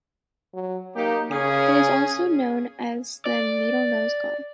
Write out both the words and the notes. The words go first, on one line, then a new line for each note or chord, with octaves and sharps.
It is also known as the needlenose gar.
F#3
A#3 D#4 G4
C#3 C#4 G#4
D5